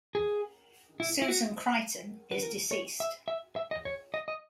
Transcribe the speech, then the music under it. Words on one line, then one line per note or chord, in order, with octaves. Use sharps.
Susan Crichton is deceased.
G#4
E4
E4
F#4
B4
A#4
C#5
E5
E5
E5
D#5
C#5
D#5
D#5